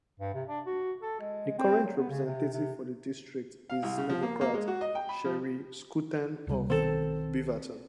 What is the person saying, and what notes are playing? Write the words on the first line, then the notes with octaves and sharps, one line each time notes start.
The current representative for the district is Democrat Sheri Schouten of Beaverton.
G2
C3
D4
F#4
A4
G#3
C4
F#3
B3
C#3
C3
C3
F5
C2
C#3
F3
A#3
A#3
G#3
F#4
D#5
G5
B5
F3
C#2 C3 G3
B1 D#3 C4 A4